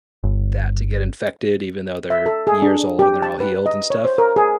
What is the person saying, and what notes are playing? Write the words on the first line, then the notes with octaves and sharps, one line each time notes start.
that to get infected even though they're years old and they're all healed and stuff,
G1
E5
A4
G#4
D4
G4
A5
B4
D#5
C#5
C5
A#4
G#4